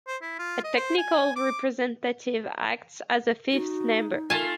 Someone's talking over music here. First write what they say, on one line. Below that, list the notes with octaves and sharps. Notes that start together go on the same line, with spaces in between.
A technical representative acts as a fifth member.
C5
E4
F4
D#5
C5
G#5
D6
D#4 F#4
A3 F4 A#4 G#5 A5